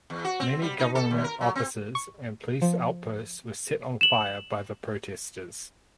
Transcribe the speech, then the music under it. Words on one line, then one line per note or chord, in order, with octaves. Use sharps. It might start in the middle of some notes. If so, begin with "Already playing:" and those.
Many Government offices and police outposts were set fire by the protesters.
E2
F#4
C4
G3
D#4
A4
D#2
A#4
F#3
C4
C#6
F3
E7 F#7